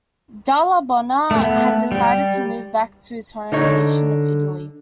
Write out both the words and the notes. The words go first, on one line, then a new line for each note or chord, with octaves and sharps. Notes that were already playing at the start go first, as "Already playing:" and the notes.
Dalla Bona had decided to move back to his home nation of Italy.
A3 B3
G3
D3 D#4 C#5